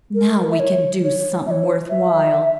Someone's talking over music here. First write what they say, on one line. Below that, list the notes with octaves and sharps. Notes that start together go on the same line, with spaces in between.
"Now we can do somethin' worthwhile."
A#4
E5
C#5
C#5
E5
C#5
E5